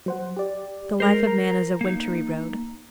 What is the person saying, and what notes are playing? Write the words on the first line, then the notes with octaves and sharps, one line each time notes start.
The life of man is a wintry road.
F#3 C5 F#5
G4 D5
G#3 A#4 C5
A#5
A#3 D#4